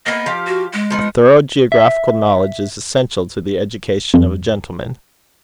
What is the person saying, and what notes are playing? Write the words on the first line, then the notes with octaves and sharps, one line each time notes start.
A thorough geographical knowledge is essential to the education of a gentleman.
A#3 B3 D#5
F3 G4 F5
F#4
G#3
F3 B3 D#4
E5
F2